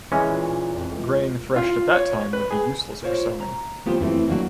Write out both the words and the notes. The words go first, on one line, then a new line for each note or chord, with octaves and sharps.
Grain threshed at that time would be useless for sowing.
E3 G#3 C#4
A#2
F2
C#2
F4
C#5
B4
G#4
F4 A#4 C5 C#5 F5
A#5
A3 B3 F4 G4 B4 C5
F#2 E3 G3 A3 C4
F#3 A#3 D4 F#4